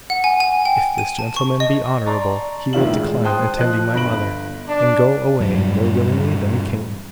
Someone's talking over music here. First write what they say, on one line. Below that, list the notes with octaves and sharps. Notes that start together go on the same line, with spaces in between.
If this gentleman be honourable, he will decline attending my mother, and go away more willingly than he came.
F#5
G#5
G#5
G5
D#7
A5
C#6
D#5
D5 A5 A#5 C6 C#6 A6
G1 A2 D#3 E4 F4 F#7
G#3
C5 G5 A5 C6 D#6 F#6
F3 D#5 A5 F#6
G1 B5 A#6 D7 F#7
D4
E1 G2 F#3